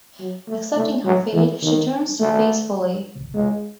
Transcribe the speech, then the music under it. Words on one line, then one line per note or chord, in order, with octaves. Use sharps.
Accepting her fate, she turns to face Foley.
F#3
A3
A3
F#3
E3
D#3
A3
G#3